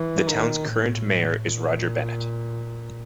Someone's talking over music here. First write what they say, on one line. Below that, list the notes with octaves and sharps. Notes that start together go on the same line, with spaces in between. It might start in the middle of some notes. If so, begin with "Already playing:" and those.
The town's current mayor is Roger Bennett.
Already playing: E3
D#3
A2
A#2